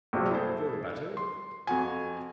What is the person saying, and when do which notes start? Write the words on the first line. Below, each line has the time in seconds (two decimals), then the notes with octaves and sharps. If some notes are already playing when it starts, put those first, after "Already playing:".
Feel better.
0.13 A#1 G2 C3 F#3
0.31 E4 G#4 A4 C5
1.17 C6
1.67 F2 F#4 G#5